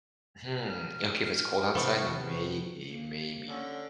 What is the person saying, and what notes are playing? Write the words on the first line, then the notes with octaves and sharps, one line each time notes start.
Hmm, okay, if it's cold outside, then maybe maybe.
F6
C3 B3 A4 B4 C5 C#6
A#3
D3 C#4